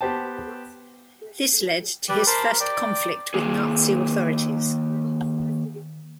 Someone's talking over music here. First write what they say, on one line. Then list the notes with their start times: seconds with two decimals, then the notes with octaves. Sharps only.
This led to his first conflict with Nazi authorities.
0.01 B3 G4 C5 G5 A5
2.09 G3 G4 B4 D5
2.27 A#4 C5 A5 B5
2.60 D5 G5
3.34 D#3 A#3 G#4